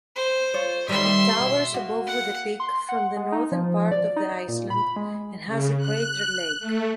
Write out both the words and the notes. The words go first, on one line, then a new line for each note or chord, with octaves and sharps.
It towers above with a peak from the northern part of the island and has a crater lake.
C5
F4 C#5
D#3 G3 E5 C6
B2
A#3 F#4
F#5
C6
F#5
G#3
D#4
F3
D5
D#4
A#2
B5
G#3
C#3
F#6
A3